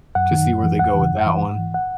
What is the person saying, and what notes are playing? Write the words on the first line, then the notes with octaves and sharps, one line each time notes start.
to see where they go with that one.
F#2 F#5
D#3
F#2
E3
E2 F#5
C#3 E3
F#2
E3
G#2
E3
F#5